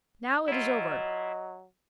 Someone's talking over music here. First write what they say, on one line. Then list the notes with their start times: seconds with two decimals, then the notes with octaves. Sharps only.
Now, it is over!
0.48 F#3 E4 F4 D#5